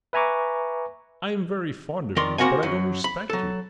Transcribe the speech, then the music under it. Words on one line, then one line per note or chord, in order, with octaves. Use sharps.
I am very fond of you, but I don't respect you.
B4 E5 G#5 A#5 C#6 D6
D#3 A#4 D5 C6
A#3 C4 F#4 A#4 F#5 G#5
F#2 F#3
B5
F#3 A4